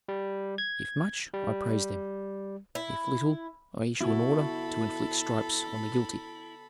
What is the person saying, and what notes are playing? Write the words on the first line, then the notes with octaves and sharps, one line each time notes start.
If much, I praise them; if little, I issue an order to inflict stripes on the guilty.
G3
G#6
G3
E4
C#3 B3 E4 F#4 A4 B5